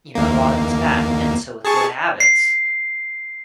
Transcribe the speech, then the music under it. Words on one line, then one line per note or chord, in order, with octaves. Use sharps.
you know, a lot of it's fat, and so, with good habits
D#2 A#3
G#4 A5 C#6
C7